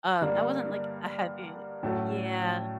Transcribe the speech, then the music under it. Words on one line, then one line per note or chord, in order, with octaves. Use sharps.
um, I wasn't, like, a heavy yeah.
G2 D3 G3 A#3
A2 F#3 A3 C#4 F#4